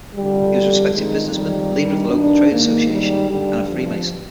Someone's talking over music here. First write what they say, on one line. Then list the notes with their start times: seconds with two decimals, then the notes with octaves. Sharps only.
He was a respected businessman, leader of the local trade association, and a Freemason.
0.15 F2 D3 G3
0.94 F2 D#3 G#3
1.33 G3
1.73 G2 D#3
2.11 D4
2.51 G#2 D#3 A#3
2.90 G3
3.29 G2 D3 G3
3.69 F3